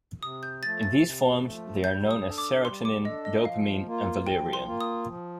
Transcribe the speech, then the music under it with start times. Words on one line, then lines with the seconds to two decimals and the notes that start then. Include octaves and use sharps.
In these forms, they are known as Serotonin, Dopamine, and Valerian.
0.22 C3 D#6
0.43 G6
0.63 F3 A3 A6
0.83 A6
1.02 C3
1.44 F3 A3
1.84 G3 G6
2.11 D#6
2.25 D4 A4
2.38 D6
2.65 G3 C6
2.85 D6
3.05 D4 A4 D#5
3.25 D#5
3.45 F3 F5
3.86 A#3 F4
4.26 F3 G5
4.53 C6
4.67 A#3 F4
4.81 D#6
5.08 F3